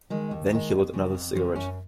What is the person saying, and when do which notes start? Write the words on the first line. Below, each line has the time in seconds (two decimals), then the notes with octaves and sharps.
Then he lit another cigarette.
0.10 D#3 G#3
0.31 D#2
0.52 D#3 G#3
0.72 F2
0.93 C#3 F3
1.14 F2
1.35 C#3 F3
1.56 F#2 C#4